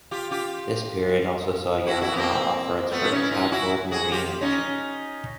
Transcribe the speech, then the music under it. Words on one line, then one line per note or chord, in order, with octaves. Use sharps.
This period also saw Yamaha offer its first outboard marine engine.
F4 G4
F4 G4
E4 F#4
E4 F#4
B3
A#3 C4
A3 B3
E4
C#4 D#4
E4
D#4 F4
E4 F#4
F#4 G#4
F4 G4
C#4 D#4